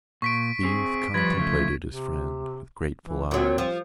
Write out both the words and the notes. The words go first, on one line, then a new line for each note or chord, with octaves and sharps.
The youth contemplated his friend with grateful eyes.
A#2 C#6 B6 D7
C4 G#4
F3 G3 B4 G#6 B6
C#3 F3 A3
C3
E3
A#2 F#3 C4
F3